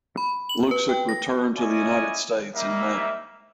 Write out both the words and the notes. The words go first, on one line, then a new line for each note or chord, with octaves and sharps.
Luksic returned to the United States in May.
B5
F#7
B4
G5
A#6
C#4 E4 D5 D#5 G#5
G3 A#3 D#4 E5